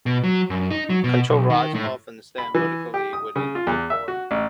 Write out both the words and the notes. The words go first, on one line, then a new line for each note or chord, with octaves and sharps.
Control rods often stand vertically within the core.
B2
F#3
F#2
D#4
F#3
B2
B1
D#3
A2
B5
E3
G4
D#6
C#3
F4
E2
E5
F#4
A1